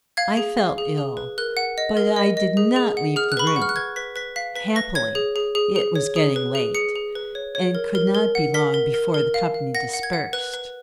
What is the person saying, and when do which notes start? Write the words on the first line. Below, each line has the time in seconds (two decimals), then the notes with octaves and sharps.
I felt ill; but I did not leave the room: happily, it was getting late, and could not be long before the company dispersed.
0.17 F5 G#6
0.37 G#4
0.57 F5
0.78 G#4
0.98 G#4
1.17 B4
1.38 A#4 F#6
1.57 F#5
1.78 D#5
1.97 A#4
2.16 D#5
2.37 D#5
2.57 G#4
2.76 G#4
2.97 F#5
3.16 G#4 F6
3.32 F#6
3.37 B4 B5
3.47 C#6
3.56 F#5
3.62 F6
3.69 F#6
3.76 B4 G#6
3.96 B4 B6
4.16 B4 B6
4.36 F5 B6
4.56 B4 B6
4.76 B4 A#6
4.95 C#5 G#6
5.15 G#4
5.36 G#4
5.55 G#4
5.76 G#4
5.96 C#5
6.16 G#4
6.36 B4
6.55 G#4
6.75 G#4 C#7
6.95 G#4
7.15 B4
7.35 C#5
7.55 C#5
7.75 A#4
7.95 A#4
8.15 A#4
8.35 F#5
8.54 A#4 B6
8.74 A#4
8.94 A#4
9.14 A#4
9.34 F5
9.54 F5
9.75 F#5 A#6
9.93 F#5
10.03 G#6
10.13 F#5
10.33 B4 F#6
10.54 B4